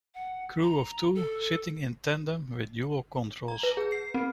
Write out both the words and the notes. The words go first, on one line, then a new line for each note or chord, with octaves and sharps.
Crew of two, sitting in tandem, with dual controls.
F#5
A#5
A4
A#5
B4
G#4
C7
C4